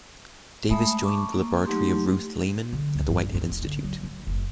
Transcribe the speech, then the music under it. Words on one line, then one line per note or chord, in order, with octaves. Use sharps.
Davis joined the laboratory of Ruth Lehmann at the Whitehead Institute.
G#3 A3 E5 A5 B5 D#6
A5 C#6 D6
A#3
F#3 A3 D#4 G4 C6
D3
C#2
G2
E4
E1
D3
F#3
D1
F#1